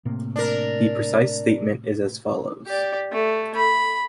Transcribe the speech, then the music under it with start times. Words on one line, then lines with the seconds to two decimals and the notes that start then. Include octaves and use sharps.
The precise statement is as follows.
0.05 A2 C3 A#3
0.36 D4 A#4
2.67 G4 D5
3.12 A3
3.55 B5